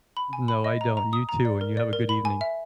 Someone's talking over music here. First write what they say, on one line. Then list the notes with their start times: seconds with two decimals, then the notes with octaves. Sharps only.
No, I don't, and you too, and you have a good evening.
0.17 B5
0.33 G#5
0.48 B5
0.64 D#5
0.81 A#5
0.97 A#5
1.13 D#6
1.29 A#5
1.45 D5
1.61 A#4
1.77 D5
1.93 A#4
2.09 B5
2.25 G#5
2.41 E5